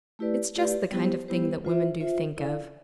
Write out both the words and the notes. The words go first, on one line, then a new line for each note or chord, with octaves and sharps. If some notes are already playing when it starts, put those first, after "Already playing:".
"It's just the kind of thing that women do think of."
A3 E4 G4 B4 D5
A3 E4 G4 B4 D5
G3 B3 E4 G4 C5
G3 B3 E4 G4 C5
F4 C5 E5
F4 C5 E5
E4 A4 D5 F5